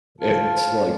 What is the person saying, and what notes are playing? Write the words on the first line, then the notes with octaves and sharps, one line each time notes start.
It's like,
F4 A5